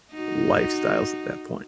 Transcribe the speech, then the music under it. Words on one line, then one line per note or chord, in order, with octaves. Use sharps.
lifestyles at that point.
D#4 F#4